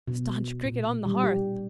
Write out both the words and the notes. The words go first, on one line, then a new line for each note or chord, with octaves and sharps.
Staunch Cricket on the Hearth!
B2
A#2
G3
G4